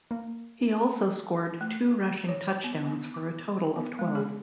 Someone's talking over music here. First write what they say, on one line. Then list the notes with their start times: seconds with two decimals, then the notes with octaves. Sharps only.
He also scored two rushing touchdowns, for a total of twelve.
0.11 A#3
1.61 A3
2.29 C#5
2.64 B3
2.87 B3
3.14 D6
3.76 B3
3.99 G#3
4.15 G#4